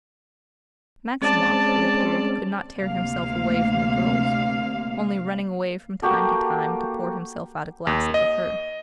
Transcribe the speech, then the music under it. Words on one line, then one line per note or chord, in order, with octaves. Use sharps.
Maximov, it appeared, could not tear himself away from the girls, only running away from time to time to pour himself out a glass of liqueur.
G#3 C4 C#4 D5 A5
D2 C3 A#3 F5
A#3 F#4 G4 A4
D#2
D#5